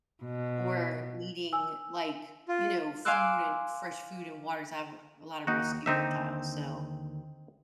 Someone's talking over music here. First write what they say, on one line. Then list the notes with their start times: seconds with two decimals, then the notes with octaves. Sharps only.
or needing, like, you know, food and fresh food and water 'cause I have a lot of rescue reptiles. So,
0.24 B2
1.53 G#5 E6
2.48 F4
3.05 F5 G#5 C6 D6 E6 F#6
5.47 D#2 A#3 D#4 F#4
5.86 D#2 D3 C4 D#4 E5